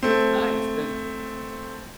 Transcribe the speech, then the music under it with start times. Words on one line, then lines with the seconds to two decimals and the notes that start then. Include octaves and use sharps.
it's nice 'cause
0.03 A3 C4